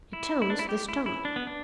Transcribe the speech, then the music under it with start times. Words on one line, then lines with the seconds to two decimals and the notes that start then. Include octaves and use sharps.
It tones the stomach.
0.13 E4
0.42 E4
0.50 D4
0.59 E4
0.69 G4
0.89 E4
1.06 E4
1.25 D4
1.36 B3
1.47 D4